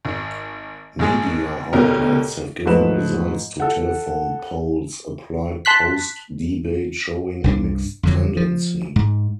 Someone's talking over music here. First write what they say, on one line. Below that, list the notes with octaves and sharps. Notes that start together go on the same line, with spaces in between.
Media outlets have given results to telephone polls applied post-debate showing a mixed tendency.
G#1
G#1 G#3 G#4
D#2 B2 D3 A#4
G#2 F3 A3 B4 E7
A4 F#5
A5 C6 F#6 B6
C2 G2 D4
F2 D3 F#3
F3
G#2